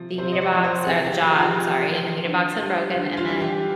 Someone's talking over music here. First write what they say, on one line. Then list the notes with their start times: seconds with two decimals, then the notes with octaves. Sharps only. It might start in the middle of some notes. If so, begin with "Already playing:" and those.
the meter box or the jaw, I'm sorry, and the meter box had broken, and then
Already playing: C3 F3
0.18 C3 C5
0.32 D#5
0.41 D5
0.52 F3
0.64 C5
0.87 C3 G#4
1.05 G4
1.22 F3 G#4
1.39 F4
1.56 C3
1.90 F3
2.25 D3
2.60 G3
2.94 D3
3.17 F4
3.29 G3
3.40 G4